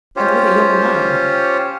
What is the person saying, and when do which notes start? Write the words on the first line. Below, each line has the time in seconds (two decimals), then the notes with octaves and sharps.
'And with a young man?'
0.16 C#4 F4 G4 C5 C#5